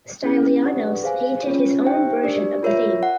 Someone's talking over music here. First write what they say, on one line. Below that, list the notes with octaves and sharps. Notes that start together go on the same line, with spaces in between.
Stylianos painted his own version of the theme.
C#4 E4 G#4
D4 G4 B4 D5 F#5
G#4 C5 F5 G#5
C#4 F4 G#4 C#5
D#4 G4 C5 E5 G5
D4 G4 A#4 D5
F4 A#4 C#5 E5
F#5